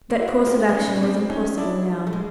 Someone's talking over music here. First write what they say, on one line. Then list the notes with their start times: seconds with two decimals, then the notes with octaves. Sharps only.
That course of action was impossible now.
0.10 C4
0.19 E4 F#4
0.28 B3
0.46 A#3 F4 G4
0.60 A3
0.69 G3
0.74 G#3 C#4 D#4
0.88 G3
0.96 F#3
1.01 G3 C4 D4
1.30 C#4 D#4
1.58 D4 E4
2.07 A3
2.13 G#3